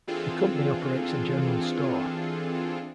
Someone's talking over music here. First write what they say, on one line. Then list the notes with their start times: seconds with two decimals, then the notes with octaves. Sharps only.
The company operates a general store.
0.07 E3 C4 D4 F4 G#4 A4